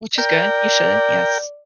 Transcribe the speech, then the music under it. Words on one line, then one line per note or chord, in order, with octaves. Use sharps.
Which is good, you should. Yes.
A#4 D5 G5